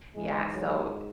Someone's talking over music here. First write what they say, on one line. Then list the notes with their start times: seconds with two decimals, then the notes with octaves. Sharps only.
Yeah, so
0.14 G#2 E3 G#3
0.53 F#3